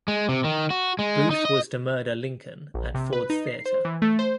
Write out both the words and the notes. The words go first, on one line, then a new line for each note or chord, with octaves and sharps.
Booth was to murder Lincoln at Ford's Theatre.
G#3
C3
D#3
F#4
G#3
D#4
D#5
A#1
C3
B4
D#4
C7
C5
E3
A3
C5